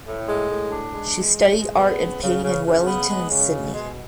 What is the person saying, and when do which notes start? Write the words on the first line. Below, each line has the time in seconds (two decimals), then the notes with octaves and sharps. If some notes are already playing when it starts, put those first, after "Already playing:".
She studied art and painting in Wellington and Sydney.
0.06 A2
0.27 G#3
0.50 A2
0.70 D4
0.93 G#3
1.14 G#3
1.36 A2
1.57 G#3
1.78 B3
2.01 C#3
2.22 C#3
2.44 C#3
2.66 C#3
2.87 B3
3.08 G#3
3.31 C#3
3.52 B2
3.74 G#3